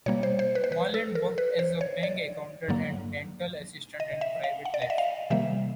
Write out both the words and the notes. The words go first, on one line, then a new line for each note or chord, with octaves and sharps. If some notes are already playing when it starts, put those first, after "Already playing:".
Marland worked as a bank accountant and dental assistant in private life.
B2 G3 A#3 C#5
C5
C5
B4
C5
B4
A4
A#4
B4
C5
C#5
D5
G2 D3 F#3 A#3
D#5
E5
F5
F#5
D5
D#5
E5
F5
C3 D#3 G3 A#3 E5